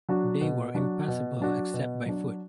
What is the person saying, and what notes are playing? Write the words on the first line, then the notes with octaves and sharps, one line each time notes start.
They were impassable except by foot.
F#3 D4 F#4
B2
F#3 D4 F#4
B2
F#3 D4 F#4
B2
F#3 D4